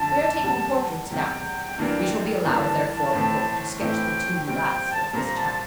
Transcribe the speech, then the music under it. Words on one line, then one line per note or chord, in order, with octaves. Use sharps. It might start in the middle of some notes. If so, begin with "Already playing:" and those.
We are taking portraits now; we shall be allowed, therefore, we hope, to sketch the two last of this chapter.
Already playing: F2 D3 F3 A5
E2 C3 G3
E2 C3 G3 G5
G2 E3 A#3 D4
G2 E3 A#3 D4 A5
A2 E3 A3 C4 E4
A2 E3 A3 C4 E4 G5
A#2 G3 C4 G5
G5
A5
A5
A#2 G3 C4 A#5
A5